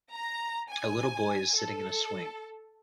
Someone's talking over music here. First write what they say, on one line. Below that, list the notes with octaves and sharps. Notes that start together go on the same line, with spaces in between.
A little boy is sitting in a swing.
A#5
G#5
A4